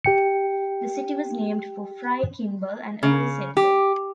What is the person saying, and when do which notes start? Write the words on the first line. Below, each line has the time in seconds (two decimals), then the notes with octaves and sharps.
The city was named for Frye Kimball, an early settler.
0.04 G4 G5 C#7
3.03 C#3
3.57 G4